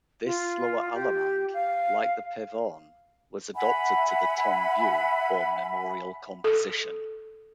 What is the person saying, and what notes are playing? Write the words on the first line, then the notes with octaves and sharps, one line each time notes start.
This slower allemande, like the pavane, was adapted to the "tombeau" or memorial composition.
F4
G4
F5
E5 F#5 G#5 B5
A4